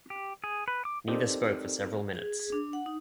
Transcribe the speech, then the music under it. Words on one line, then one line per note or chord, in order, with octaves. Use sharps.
Neither spoke for several minutes.
G4
G#4
B4
D6
C4 D#4 G4 A4 A#4 D5
G#4
G#4
D4
F#5
D#4